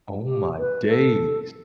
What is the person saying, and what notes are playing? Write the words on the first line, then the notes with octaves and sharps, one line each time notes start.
Oh my days.
G4
B4
A4